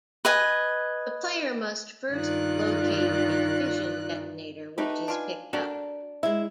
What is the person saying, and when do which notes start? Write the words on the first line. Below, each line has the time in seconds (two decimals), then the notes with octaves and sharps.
The player must first locate a fission detonator, which is picked up.
0.25 B4 D#5 G#5
2.11 G2 D#3 F4 D5 F#6
4.78 A3 D#4 G4 B4
5.08 D4 F4 G#5
5.53 D4 F#4 A4 A#4
6.23 G#3 E4 E5